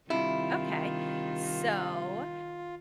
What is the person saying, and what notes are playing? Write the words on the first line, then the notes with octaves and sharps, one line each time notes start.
Okay. So,
G2 C3 D#3 E4 F4